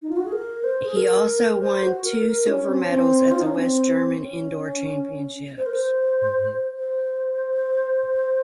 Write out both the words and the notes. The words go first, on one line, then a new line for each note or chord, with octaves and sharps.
He also won two silver medals at the West German indoor championships.
D#4
F4
F#4
G#4
A#4
C5
G#4
A#4
C5
F#4
A#4
A#4
C#4
C4
C#4
C4
F4
D#4
C#4
C4
C#4
C5
A#4
C5
C5